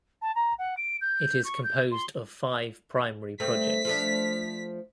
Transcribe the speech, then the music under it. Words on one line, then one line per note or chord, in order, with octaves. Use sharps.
It is composed of five primary projects.
A5
A#5
F#5
D7
G6
C#6
G6
C6
G2 A3 C4 B6
F3 A3 D4